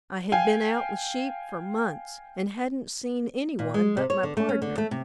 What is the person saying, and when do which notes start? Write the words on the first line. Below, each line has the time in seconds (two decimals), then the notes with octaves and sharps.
I had been out with sheep for months and hadn't seen any one but my pardner.
0.32 F5 G5 G#5
3.59 A#2
3.74 G#3
3.97 C3
4.10 C#5
4.23 D3
4.37 A3
4.49 C#4
4.62 D3
4.78 A3
4.91 C3